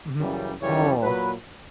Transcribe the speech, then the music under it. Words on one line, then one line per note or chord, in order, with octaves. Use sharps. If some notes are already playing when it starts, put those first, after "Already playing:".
Mhm oh.
F#2 C#3 E3 G3
F#2 C#3 E3 G3 C#5
A#2 F#3 B4